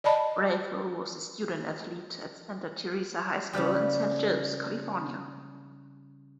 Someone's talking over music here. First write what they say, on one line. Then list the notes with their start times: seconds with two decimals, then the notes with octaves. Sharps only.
Bravo was a student-athlete at Santa Teresa High School in San Jose, California.
0.04 D5 D#5 A5 B5
3.53 C#3 F3 G3 G4